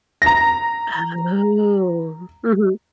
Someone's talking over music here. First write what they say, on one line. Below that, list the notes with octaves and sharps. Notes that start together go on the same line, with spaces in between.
Oh. Mhm.
A#5 A#6